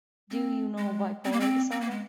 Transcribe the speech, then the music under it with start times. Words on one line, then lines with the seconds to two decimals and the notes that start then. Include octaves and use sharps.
Do you know Bipolar disorder?
0.31 C4
0.78 G#3
1.25 C4
1.32 A#3
1.40 C4
1.71 C4
1.81 A#3
1.91 G#3